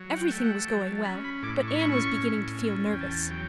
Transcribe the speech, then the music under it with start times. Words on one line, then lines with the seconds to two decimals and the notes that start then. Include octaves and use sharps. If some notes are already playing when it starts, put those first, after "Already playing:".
Everything was going well but Anne was beginning to feel nervous.
Already playing: F#3
0.10 F#5
0.17 G5
0.31 A3 G5
0.43 F#5
0.68 F#3 G5
0.87 A5
1.05 C#4 B5
1.24 B5
1.43 A2 D6
1.68 C#6
1.75 B5
1.80 C#4 C#6
1.92 C#6
2.18 A2
2.55 C#4
2.92 E2 G5
3.01 A5
3.09 G5
3.30 F#3 G5